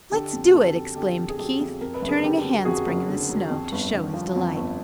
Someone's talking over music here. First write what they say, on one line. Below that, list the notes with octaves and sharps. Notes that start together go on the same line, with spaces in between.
"Let's do it!" exclaimed Keith, turning a handspring in the snow to show his delight.
D3 G4 A4
F2
F#3 G4 A4
F2
D3 G4 A4
F2
G#4
F#3 G4 A4
F2
F2 A#4
B4
F#1
G#4 A#4
D3 G4 A4
F#3
F2 F#4 G#4
F#1
D3
F#3
F2
G1
D3
F3
F2
G1